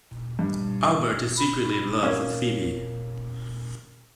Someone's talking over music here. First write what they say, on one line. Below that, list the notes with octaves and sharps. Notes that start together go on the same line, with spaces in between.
Albert is secretly in love with Phoebe.
G2
B5
A#3 C#4 C#5